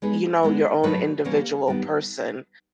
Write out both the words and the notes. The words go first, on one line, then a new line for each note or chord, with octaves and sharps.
you know, your own individual person
G#3 B3 D#4 G#4 B4
G#3 B3 D4
F#3 A3 D4 F#4 B4
E3 G3 A#3 C#4
D#3 G3 B3